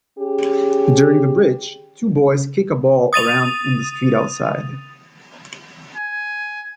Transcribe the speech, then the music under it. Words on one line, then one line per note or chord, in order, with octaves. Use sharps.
During the bridge, two boys kick a ball around in the street outside.
C#4 G4 G#4
D#6 A6 D#7 F7
G#5